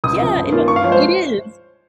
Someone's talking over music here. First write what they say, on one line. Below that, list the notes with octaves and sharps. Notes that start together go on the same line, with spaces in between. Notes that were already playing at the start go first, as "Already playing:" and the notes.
Yeah, and o it is.
C#2 D#6
C3 F3
G2
D#3 A#3 C#4 F4
G2 C#6
F5
F3 G#3 C5 C#5